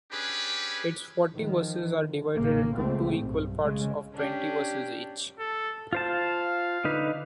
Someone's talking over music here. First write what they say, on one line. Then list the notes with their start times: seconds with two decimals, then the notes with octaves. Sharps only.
Its forty verses are divided into two equal parts of twenty verses each.
0.12 C#4 D4 G4 G#4 B4
1.34 D#3 F3
2.34 A1 A#2 C#3 A#3
2.76 C#2 A3 C4
3.19 B1 G2
3.61 C#3 G#3
4.14 C#4 D4 G4
5.40 A4
5.93 F4 C5 F5 A5
6.85 D3 D#4 B4